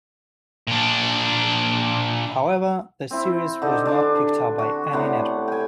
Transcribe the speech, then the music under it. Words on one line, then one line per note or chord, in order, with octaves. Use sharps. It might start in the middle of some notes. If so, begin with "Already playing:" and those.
However, the series was not picked up by any network.
A#2 D4
C4 E4
D3 D#4 G4 A4
D4 G#5 D6
F#4
A2 C3 B3 F#5
G5 G#5